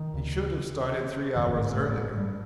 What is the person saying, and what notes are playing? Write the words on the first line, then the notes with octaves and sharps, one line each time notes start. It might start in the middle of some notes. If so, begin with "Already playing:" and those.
He should have started three hours earlier.
Already playing: D#3
D2 C#3
G#1 E2 G2 D3 E3
G#2 G#3
A2 A3
G#2 G#3
G2 G3